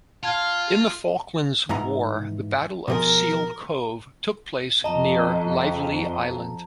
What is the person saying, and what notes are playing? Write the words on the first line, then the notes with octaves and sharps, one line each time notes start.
In the Falklands War the Battle of Seal Cove took place near Lively Island.
F4 F5 A5 G#6
G#2 E3 A#5
B2 F3 G#4 A#4
F2 D#5 A5 A#5